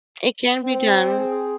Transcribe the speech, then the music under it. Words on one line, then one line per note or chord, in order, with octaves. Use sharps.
It can be done.
C4
G#4